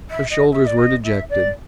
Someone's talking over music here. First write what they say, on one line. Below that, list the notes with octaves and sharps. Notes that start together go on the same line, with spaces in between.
Her shoulders were dejected.
E5
D#5
E5
D5
D#5
E5
D5